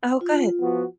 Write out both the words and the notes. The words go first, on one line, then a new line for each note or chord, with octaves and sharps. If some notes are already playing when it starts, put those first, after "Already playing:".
Oh, good.
F4
F3 B3 F#4